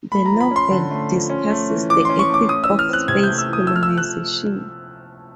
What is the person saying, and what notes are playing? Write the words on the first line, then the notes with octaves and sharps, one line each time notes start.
The novel discusses the ethics of space colonization.
A3 B5
A#5
F3
B5
C#4 C6
D3
A3
F3
C#4
A3
E3
E3 D6
C#4 C6
C#6
A3 D6
A3 D#6
E6
E3
F6
C4 F#6
C3 G#6
A3 G6
E6
E3
D#6
A3 E6
F6
E6
F3
F#6